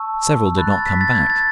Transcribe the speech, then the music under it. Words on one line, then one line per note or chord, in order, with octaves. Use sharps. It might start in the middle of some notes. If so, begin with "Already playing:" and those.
Several did not come back....
Already playing: A5 C#6 E6
B5 F#6 A6
A6
B6
A6
G#6
A6